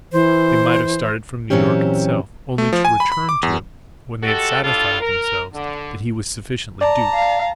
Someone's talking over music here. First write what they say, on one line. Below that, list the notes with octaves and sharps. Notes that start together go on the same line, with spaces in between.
They might have started FROM New York itself--only to return to it when they had satisfied themselves that he was sufficiently duped.
E3 C5
A#2 E3 F#3 C4 C#4 G4
A3
F3
G#5
B5
B5
D6
E2
G#3 F#4 G4 A4
A2 G3 D4 F4 A4
A#4
D3
D5 A5 A#5
F5